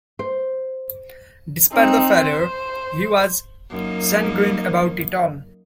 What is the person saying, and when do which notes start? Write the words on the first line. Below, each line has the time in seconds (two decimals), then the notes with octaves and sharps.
Despite the failure, he was sanguine about it all.
0.19 C5
1.73 C4 D#4
2.20 C5
3.71 F#2 A#3 D#4